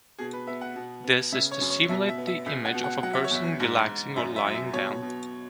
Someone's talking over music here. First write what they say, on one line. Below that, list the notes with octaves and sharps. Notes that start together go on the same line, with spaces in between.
This is to simulate the image of a person relaxing or lying down.
B2 G#4
B4
B3 E5
F#5
B2
B3
C#3 E5
C#5
F#2
C#5
B2 E5
E5
B3
E5
C#2 E5
F#5
B2
F#5
F#3 F#5
E5
C#5
E2 E5
G#2
G#2
F#2 E5
E5
F#3
E5
B2 C#5
B2